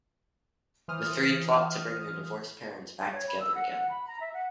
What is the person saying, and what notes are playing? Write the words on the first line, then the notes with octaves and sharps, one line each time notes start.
The three plot to bring their divorced parents back together again.
E3 C5 D#6 F6 D#7
C#5
B5
E6
F#5
F#5
B5
A#5
E5
F#5